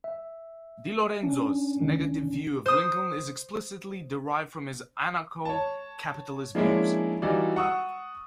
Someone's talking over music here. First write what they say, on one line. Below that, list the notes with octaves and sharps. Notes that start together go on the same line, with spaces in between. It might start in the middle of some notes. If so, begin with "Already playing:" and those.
DiLorenzo's negative view of Lincoln is explicitly derived from his Anarcho-capitalist views.
E5
C#4 D4
C#2 D#3 E3
C5 D#6
C#5 A5
F3 G#3 A#3 C#4 D4 E4
E3 G3 D#4 F4 F#4 D5
F#5 C#6 D#6 E6